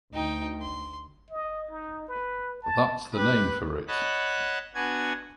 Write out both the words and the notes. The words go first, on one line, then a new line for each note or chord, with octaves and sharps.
That's the name for it.
D2 D#4 G5
C6
D#5
D#4
B4
A5
G4 B4
C#5 D#5 F#5 A5 B5 F#6
B3 D4 F#4 F#5 G#5 G#6